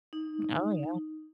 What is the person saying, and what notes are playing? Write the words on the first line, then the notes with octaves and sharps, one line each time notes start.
Oh, yeah.
D#4